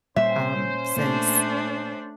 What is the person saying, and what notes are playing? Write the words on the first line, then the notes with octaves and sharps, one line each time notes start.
um, since
A#2 G3 A#3 C#4 C5 E5
A#2 A3 A#3 D4